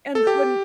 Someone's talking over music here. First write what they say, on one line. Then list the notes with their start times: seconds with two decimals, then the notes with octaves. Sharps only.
And when
0.15 A4
0.27 G4